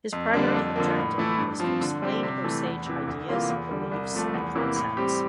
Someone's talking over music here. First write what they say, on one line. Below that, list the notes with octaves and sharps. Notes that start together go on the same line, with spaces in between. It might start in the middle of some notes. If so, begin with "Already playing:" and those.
His primary objective was to explain Osage ideas, beliefs, and concepts.
F2
D3 G3 A#3 D4
F2
D3 F3 A#3
A2
E3 A3 E4
G2
F3 C4
D3
G3 C4 G4
C3
E3 A3
E2
C3 E3
D2
C3 E3 A#3 F4
E2
D3 G3
C2
C3 F3 A3
E2
C3 E3 A#3 E4
A2
G3 C4 G4